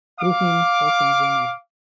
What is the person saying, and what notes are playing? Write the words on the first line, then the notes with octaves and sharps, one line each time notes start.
Through him all things were made.
F5 D6